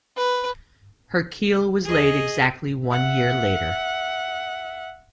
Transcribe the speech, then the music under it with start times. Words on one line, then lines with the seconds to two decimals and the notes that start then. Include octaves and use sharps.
Her keel was laid exactly one year later.
0.17 B4
1.85 G#4 D#5
2.89 E5 F#5